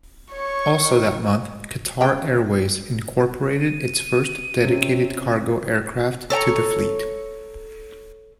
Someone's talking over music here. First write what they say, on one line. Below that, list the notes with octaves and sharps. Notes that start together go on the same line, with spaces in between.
Also that month, Qatar Airways incorporated its first dedicated cargo aircraft to the fleet.
C#5 C#6
D#3
C#3 G#3 G5
D#7
C3 C4 C#4
A4 C#5 G5 A#5